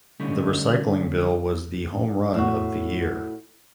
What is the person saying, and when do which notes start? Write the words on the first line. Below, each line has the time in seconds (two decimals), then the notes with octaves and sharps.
The recycling bill was the home run of the year.
0.20 D3 G3 A3 C#4 D#4
2.34 A2 F#4